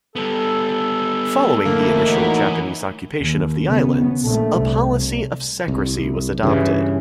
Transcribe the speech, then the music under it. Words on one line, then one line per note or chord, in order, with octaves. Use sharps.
Following the initial Japanese occupation of the islands, a policy of secrecy was adopted.
G3 B3 A4
D2 A2 A#3 E4
E3 F#3 D#4
D#2
C#3 B3
A#1 A3
C2
C2
G2 C#3 E3